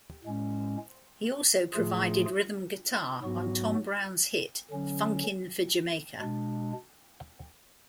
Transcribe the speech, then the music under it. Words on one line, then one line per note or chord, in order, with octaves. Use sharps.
He also provided rhythm guitar on Tom Browne's hit, "Funkin' for Jamaica".
A2 G#3 C#4
A2 F3 A3 F4 G#4
G#2 F#3 B3 F#4
D3 F#3 C#4
B2 G#3 D4